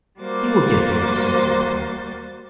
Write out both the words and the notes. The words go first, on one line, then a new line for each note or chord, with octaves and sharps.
"He will get there!" said the reporter.
G3 A#3 F#4 C5 A6